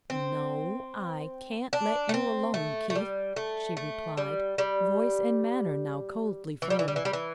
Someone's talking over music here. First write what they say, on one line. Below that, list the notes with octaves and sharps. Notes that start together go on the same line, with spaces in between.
"No, I can't let you alone, Keith," she replied, voice and manner now coldly firm.
C4
D4
A3
C4
A3
A3
G3
A3
A3
G3
G3
E3
G3
E3
G3
E3
G3
E3